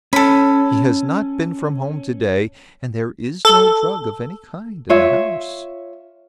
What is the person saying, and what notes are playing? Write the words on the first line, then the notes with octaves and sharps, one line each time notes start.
"He has not been from home to-day, and there is no drug of any kind in the house."
C#4 A4 B5
A4
F4 C#5 E5